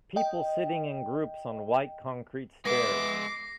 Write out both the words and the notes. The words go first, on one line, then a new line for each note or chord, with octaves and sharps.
People sitting in groups on white concrete stairs.
D#5 G5
G#3 B3 E5 D6 A#6 C7